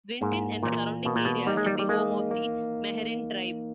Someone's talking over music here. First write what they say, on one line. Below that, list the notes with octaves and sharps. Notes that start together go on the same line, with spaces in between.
Winton and the surrounding area is the home of the Meherrin Tribe.
G#2 A#3
A#2 E3
B2 A#3
A#2
B2
G3 D#4
G#3
G3
G3
G#3 A#3
A#3